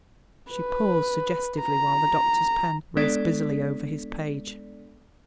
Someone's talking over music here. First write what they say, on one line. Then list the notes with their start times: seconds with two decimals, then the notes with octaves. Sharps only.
She paused suggestively while the doctor's pen raced busily over his page.
0.53 B4
1.62 A#5
2.97 G#3 B3 D4 A4 D5 B6